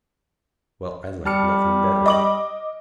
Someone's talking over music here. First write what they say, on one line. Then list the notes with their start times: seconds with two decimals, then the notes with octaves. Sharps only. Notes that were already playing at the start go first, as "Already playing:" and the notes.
Well, I'd like nothing better.
1.26 G3 A5 F6 C#7
2.06 D#5 D6 F#7